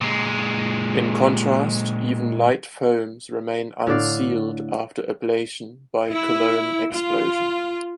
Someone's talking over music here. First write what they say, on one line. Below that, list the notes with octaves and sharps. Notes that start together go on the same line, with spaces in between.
In contrast, even light foams remain unsealed after ablation by Coulomb explosion.
A#2 G#3
A2 D3 D5 F5
E4
F4